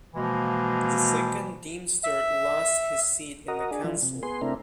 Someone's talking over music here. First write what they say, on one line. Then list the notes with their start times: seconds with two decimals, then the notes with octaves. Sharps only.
The Second Deemster lost his seat in the Council.
0.15 B2 E3 F3 G#3 A#3
2.04 E5
3.48 F#4 A#4 D#5
3.71 D4 G#4
3.84 E3 F3
4.02 C3
4.23 B3 G#4 C6
4.42 C3 A3 C4 D4 E4 A#4